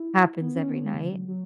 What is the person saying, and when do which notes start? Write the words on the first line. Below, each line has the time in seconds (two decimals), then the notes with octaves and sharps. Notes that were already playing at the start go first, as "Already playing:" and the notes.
happens every night,
Already playing: E4
0.41 B3
0.56 C#4
0.70 B3
0.85 G#3
0.94 C#3
1.03 D3
1.13 F#3
1.28 F#3